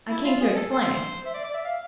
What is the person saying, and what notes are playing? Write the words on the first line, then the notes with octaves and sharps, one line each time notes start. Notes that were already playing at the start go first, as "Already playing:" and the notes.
I came to explain.'
E4
F4
G#4
A4
C5
E5
D5
D5
E5
F5